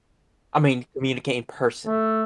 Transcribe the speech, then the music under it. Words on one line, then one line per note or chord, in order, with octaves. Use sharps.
I mean, communicate in person
A3